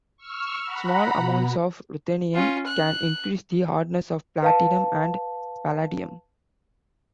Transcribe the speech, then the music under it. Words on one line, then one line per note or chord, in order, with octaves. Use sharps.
Small amounts of ruthenium can increase the hardness of platinum and palladium.
C#6 E6 F6
F#5 A#5 B5
B2
C#4 F4
F#6
B4 F5 A5